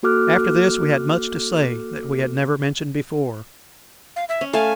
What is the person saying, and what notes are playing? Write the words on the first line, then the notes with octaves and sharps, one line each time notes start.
After this we had much to say that we had never mentioned before.
A#3 F#4 A4 D6 F6 F#6
F5
E5
C#4
A3 F5 G#5 A5